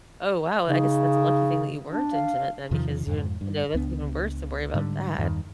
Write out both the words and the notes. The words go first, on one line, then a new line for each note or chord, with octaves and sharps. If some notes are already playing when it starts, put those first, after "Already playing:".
Oh, wow. I guess that's a lucky thing that you weren't intimate then because you're you know, that's even worse to worry about that.
C#3 D#4
D4
F5
E2 C3 D#3 F3
F2 G#2
G2
C#2 B3 D4
G#2 D3 G3
E2 G2 D#3